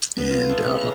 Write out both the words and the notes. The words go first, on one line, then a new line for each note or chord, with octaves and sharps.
and, uh,
B3
F4
A3
C#3
A#5